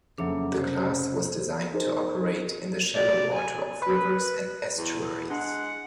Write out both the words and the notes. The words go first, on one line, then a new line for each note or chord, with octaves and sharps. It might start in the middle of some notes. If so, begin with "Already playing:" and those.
The class was designed to operate in the shallow water of rivers and estuaries.
F2 C#3 F#3 A#3 D4 G#4 A4 E5
C3 C5
D#4 G#4 A#4 C5
D5
G#5
B4
E2
G#3 D4 F#5